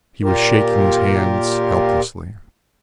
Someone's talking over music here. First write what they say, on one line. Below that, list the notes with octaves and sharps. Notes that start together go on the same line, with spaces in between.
He was shaking his hands helplessly.
A#2 F4 G4 A#4